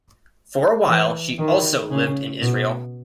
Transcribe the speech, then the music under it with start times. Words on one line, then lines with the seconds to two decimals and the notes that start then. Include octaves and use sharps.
For a while, she also lived in Israel.
0.88 E3
1.39 D#3
1.91 C#3
2.41 B2